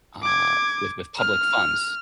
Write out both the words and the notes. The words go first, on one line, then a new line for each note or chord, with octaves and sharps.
uh, with with public funds.
D6 G#6
F6